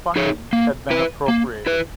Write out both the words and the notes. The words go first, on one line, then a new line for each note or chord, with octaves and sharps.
Funding had been appropriated.
D#4 G#4 C#5
A#3
E4 B4
A#3
E4 B4